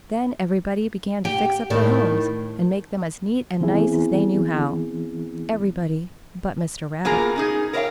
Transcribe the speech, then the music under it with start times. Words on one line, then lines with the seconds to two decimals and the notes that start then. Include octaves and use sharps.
Then everybody began to fix up their homes and make them as neat and nice as they knew how--everybody but Mr. Rabbit.
1.25 G4
1.70 A2 D#3
3.61 E3 B3 C4 E4 G#4
7.05 B2 A#3 F4 G#4 A#4 A#5
7.36 C#4 D#4 G#4
7.73 A#4 B4 C#5 E5 F5 G5